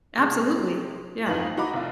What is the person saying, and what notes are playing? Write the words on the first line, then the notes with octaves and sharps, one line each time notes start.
Absolutely. Yeah.
C3 G#3
F2 D#4 F4 B4 A#6 F#7
D#4 F#4 D#5 A#5 B5 D6
F1 F4